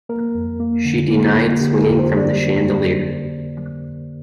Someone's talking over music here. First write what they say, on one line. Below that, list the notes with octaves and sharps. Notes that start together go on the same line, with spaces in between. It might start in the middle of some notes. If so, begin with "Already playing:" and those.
She denied swinging from the chandelier.
A#3 A#4
F2
A#3
D3
A#3
A#3
D3 G4
A#4
F2
C5
D5